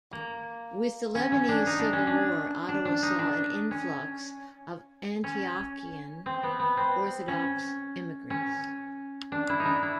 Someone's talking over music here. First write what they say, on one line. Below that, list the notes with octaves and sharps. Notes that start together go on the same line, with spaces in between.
With the Lebanese Civil War Ottawa saw an influx of Antiochian Orthodox immigrants.
A#3
C#4
C#4
D4
D#4
D4
C#4
D4
D4
D4
D#4
D4
C#4
C#4
C4
B3
B3
C4
C#4
C#4
D4
E4
D#4
D4
E4